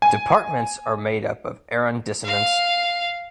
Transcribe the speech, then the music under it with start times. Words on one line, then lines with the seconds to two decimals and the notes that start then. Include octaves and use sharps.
Departments are made up of Arrondissements.
0.02 G#5
2.24 F5